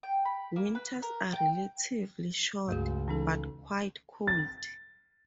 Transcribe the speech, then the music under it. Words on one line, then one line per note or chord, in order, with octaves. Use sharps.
Winters are relatively short, but quite cold.
G5
B5
A#3
B4
A#4
G5
C#2 G2 A3 F#4 G#4
E3 C#4 D#4 A4
A6